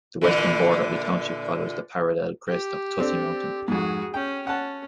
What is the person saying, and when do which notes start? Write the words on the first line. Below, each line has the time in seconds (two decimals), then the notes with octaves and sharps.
The western border of the township follows the parallel crest of Tussey Mountain.
0.21 A#2 D3 E3
2.48 G4
3.00 C4 D4 A4
3.68 F2 G#2 F#4 G#4
4.14 C#4 G5
4.47 C#4 F#5 A5